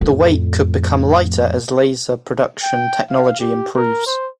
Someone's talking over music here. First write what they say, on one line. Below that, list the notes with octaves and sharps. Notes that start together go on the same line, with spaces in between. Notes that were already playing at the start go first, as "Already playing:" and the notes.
The weight could become lighter as laser production technology improves.
F2 A2
G5
F5
G4
A#4
C5